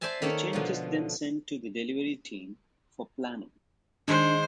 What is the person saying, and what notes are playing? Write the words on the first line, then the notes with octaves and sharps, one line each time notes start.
The change is then sent to the delivery team for planning.
C5 D5 E5 G#5 A5
D#3 A#3 A4 C#5
B2 D3 F3
D#3 G#3 D4 C5